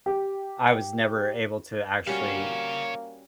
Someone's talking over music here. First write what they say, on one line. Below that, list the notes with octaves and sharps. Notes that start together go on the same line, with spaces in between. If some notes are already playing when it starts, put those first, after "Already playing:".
I was never able to actually
G4
G3 A#3 C#4 F#4 C#5 F5